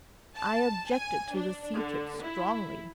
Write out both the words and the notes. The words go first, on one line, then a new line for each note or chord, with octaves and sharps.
I objected to the sea trip strongly.
A5
G#5
D4
D3
E4